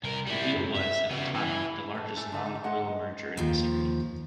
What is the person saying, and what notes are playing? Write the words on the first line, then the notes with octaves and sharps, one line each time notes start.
The deal was, at the time, the largest non-oil merger in history.
C2 A#4
G3 E4
F#2
E5
C#3 B3
E3
B4 A5
A3 A4 D5 G#5
D3 A3 B4
D#4
G#3 D#5 F#5
D#2 F3